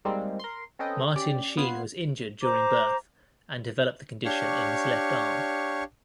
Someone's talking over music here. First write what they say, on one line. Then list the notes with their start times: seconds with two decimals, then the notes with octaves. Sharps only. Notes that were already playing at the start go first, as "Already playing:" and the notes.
Martin Sheen was injured during birth and developed the condition in his left arm.
0.05 G3 G#3 A#3 C4 D#4
0.39 A#4 C6
0.79 C4 C#4 A4 B4 D#5 G5
1.16 C#4 G4 D5
1.57 B3 F4 F#6 G#6 C7
2.42 C5 A#5 D6
4.25 D4 G4 C#5 F5 C#6